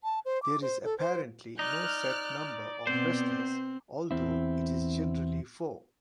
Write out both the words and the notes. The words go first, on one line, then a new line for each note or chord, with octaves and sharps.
There is apparently no set number of wrestlers although it is generally four.
A5
C5
D6
C5
A4
C5
D#4 D5 F6 F#6
B2 B3 C4 C5
E2 C4 E4